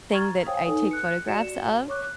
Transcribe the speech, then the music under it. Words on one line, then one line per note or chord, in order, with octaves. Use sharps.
thing that I take photographs of,
A#5 C#6 E6 F6 G#6 A6
C5 C#5 F5 G5 G#5 D#6
D#4 A4 B4 C#5 G#5 D#6
F#6 C#7
F#4 D5 C#7 E7
C#5 C#6 D6 F#6